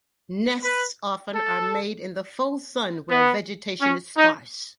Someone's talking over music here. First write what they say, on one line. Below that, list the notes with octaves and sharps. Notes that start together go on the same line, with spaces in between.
Nests often are made in the full sun where vegetation is sparse.
B4
A4
B3
C#4
D#4